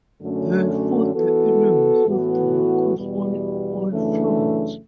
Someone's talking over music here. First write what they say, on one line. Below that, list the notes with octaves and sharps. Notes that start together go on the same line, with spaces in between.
They fought the enemies of the workers on all fronts.
F#2 D3 A3 C#4 F#4
E3 B3 F#4 A4
A2 E3 B3 F#4 A4
E2 B2 G3
F#2 C#3 E3 A3 D4